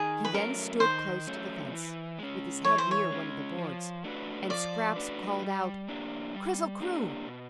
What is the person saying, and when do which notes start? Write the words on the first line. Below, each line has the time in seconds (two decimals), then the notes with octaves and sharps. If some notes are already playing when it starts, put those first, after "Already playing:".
He then stood close to the fence, with his head near one of the boards, and Scraps called out "Krizzle-Kroo!"
Already playing: D#3 G#4
0.25 B4
0.33 F#3 A3 C#4 A#4
0.80 D#3 C5
1.26 F#3 A3 C#4
1.72 E3
2.18 G#3 C#4
2.64 E3 C#5
2.78 C5
2.91 C#5
3.11 G#3 C#4
3.57 F3
4.04 A3 D4 F#4 B4
4.50 F3 D5
4.96 A3 D4 F#4 B4
5.42 G3
5.88 A#3 D4 G4
6.35 G3
6.81 A#3 D4 G4
7.27 B2